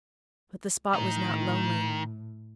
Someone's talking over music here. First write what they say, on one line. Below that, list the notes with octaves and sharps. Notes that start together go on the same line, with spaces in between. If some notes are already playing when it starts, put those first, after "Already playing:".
But the spot was not lonely.
A2 D#3